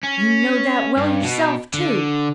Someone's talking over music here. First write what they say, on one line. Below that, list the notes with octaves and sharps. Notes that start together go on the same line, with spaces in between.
You know that well yourself, too.
C#4
G2
B2
D3